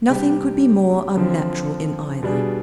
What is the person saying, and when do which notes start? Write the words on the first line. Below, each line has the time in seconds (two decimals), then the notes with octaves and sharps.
Nothing could be more unnatural in either.
0.09 C3 G3 D4 G4 D5
1.16 D3 F3 C4
2.23 B2 G3 D4 G#4